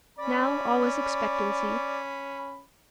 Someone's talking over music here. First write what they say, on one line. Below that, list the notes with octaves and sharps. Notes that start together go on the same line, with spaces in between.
Now all was expectancy.
C#4 D5 B5